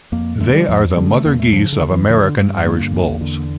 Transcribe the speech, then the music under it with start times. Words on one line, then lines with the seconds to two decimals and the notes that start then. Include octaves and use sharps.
They are the Mother Geese of American Irish bulls.
0.12 F2 A#3
0.40 D3 A3
0.54 G3
0.69 E2 F3
0.96 D3 G3
1.11 A3
1.25 E2 A#3
1.40 A3
1.53 C#3 F3
1.72 D3
1.81 E2
1.91 E3
2.09 D3 F3
2.23 D3
2.38 G2
2.65 D3 A#3
2.94 E2
3.21 D3